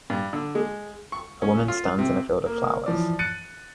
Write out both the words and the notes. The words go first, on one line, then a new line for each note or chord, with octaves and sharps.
A woman stands in a field of flowers.
G2
D3
G#3
C#6
C#4
F4
C3
A#3
E3 F3 D5
F#6 A6 C#7 D#7